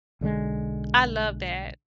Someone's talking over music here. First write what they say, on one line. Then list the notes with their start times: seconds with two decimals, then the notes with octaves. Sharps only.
I love that.
0.21 B1 D3 F3 G#3